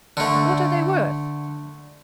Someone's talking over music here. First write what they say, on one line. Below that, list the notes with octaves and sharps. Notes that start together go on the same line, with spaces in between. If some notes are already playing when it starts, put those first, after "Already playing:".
"What are they worth?"
D3 A3